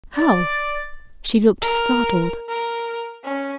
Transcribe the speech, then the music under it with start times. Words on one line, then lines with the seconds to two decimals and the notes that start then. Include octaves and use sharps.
"How?" She looked startled.
0.16 D5
1.62 A#4
2.49 A#4
3.24 C#4